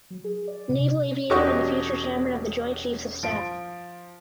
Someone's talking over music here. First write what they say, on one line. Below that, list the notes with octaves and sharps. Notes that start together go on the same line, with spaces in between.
Naval Aviator and the future Chairman of the Joint Chiefs of Staff.
F#3
G#4
D5
C3
E1 C#4 F#4 G4 D#5 C#6
F3 D7